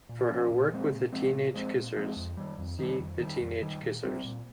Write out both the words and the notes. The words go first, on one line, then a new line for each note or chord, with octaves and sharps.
For her work with The Teenage Kissers, see The Teenage Kissers.
A#2
F3 A#3 C#4
A#2
F3 G#3 C4
A#2
F3 G#3 C4
A#2
F3 G#3 C4
A#2
F3 G#3 C4
F2
D#3 G3
F2
D#3 G3
F2
D#3 G3
F2
D#3 G3
A#2
G3 C4
A#2